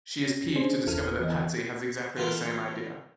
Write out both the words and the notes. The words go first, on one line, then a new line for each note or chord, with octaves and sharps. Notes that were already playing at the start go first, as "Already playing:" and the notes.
She is peeved to discover that Patsy has exactly the same idea.
C#4 A#6
C#4 D4 G#4 C5
G1 E2 E4 A4 F6 D#7
E3 B3 D#5
E3 B3 F4 A4 A#4